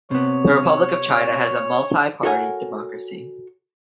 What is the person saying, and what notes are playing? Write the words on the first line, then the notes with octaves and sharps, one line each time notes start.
The Republic of China has a multi-party democracy.
C3 B3 C#5
F#4 A4 A#4 C#5 F#5 G#5